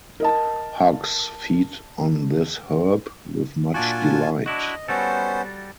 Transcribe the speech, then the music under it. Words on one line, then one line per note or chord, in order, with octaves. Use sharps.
Hogs feed on this herb with much delight.
A#4 D#5 A5
A#2 D4 F4 F#4 G#5 A5
D4 E4 F#4 D#5
G3 B3 C#4 F#4 A4 C5